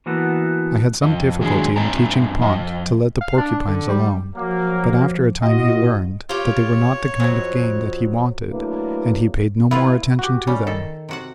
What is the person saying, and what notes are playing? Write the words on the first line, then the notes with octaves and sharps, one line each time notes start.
I had some difficulty in teaching Pont to let the porcupines alone, but after a time he learned that they were not the kind of game that he wanted, and he paid no more attention to them.
E3 A#3 B3 F#4 A4
F2 D#5
D#3 F#3 G#3 D4 G#4
G2 C4 D#4 D#5 G#5 A#5
F2 D#5
F5
D4
D3
G3
F3 F#3 A#3
A2 F4 F#4 D#5
F4 G4 C#5
F2 F3 F#3
F#3 A3 A#3 D4 E4 B4
B3 E4 F4 B4
F#4 G4
G3 C#4
D#3 A4
C3 F#4 F#5